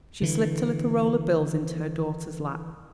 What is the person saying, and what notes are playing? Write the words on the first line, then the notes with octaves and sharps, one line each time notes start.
She slipped a little roll of bills into her daughter's lap.
D3 E3